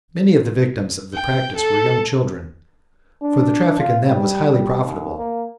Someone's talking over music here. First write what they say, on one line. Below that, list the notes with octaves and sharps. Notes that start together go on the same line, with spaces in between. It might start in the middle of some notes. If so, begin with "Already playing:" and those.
Many of the victims of the practice were young children, for the traffic in them was highly profitable.
G5
A4
D4
F4
G3
G3
D#2
A#3